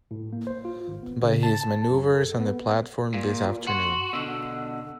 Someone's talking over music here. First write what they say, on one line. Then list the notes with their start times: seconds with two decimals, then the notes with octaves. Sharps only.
By his manoeuvres on the platform this afternoon.
0.11 A2
0.33 A#3
0.47 C5
0.65 F4
0.88 G#1
1.03 B3
1.23 C#3
1.43 A5
1.64 A5
1.90 F#2
2.14 A4
2.40 B3
3.14 A#2 F5
3.67 F#4 F#5 C6
4.13 B2 D3 E6